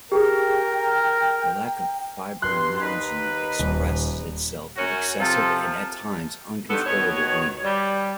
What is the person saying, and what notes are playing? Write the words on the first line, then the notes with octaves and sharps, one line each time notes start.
The lack of fibrinogen expresses itself with excessive and, at times, uncontrollable bleeding.
G4 G#4 A#4 G5
G2 C6 F#6
D#2 D#4 B4
D#1
F#2 C#4 F#4
C3 F3 A4
G2 D3 B3 D#4 A4
B2 D#3 B3 C#5
G3